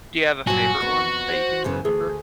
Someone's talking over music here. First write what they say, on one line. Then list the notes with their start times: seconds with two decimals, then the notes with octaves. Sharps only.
Do you have a favorite one that you can remember?
0.47 G2 A#2 F#3 F#4 G#5
0.80 F2 B3 C#6
1.33 C5
1.64 F#2 C#3 B3
1.85 D2 G#4